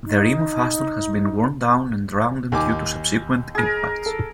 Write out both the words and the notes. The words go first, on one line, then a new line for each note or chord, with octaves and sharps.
The rim of Aston has been worn down and rounded due to subsequent impacts.
D#4
D#2 G#5 D6
G#4 A#4
A4